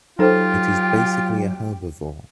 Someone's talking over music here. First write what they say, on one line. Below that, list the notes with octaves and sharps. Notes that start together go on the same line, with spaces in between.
It is basically a herbivore.
F#3 D#4 F4 G4 A4 C5 G5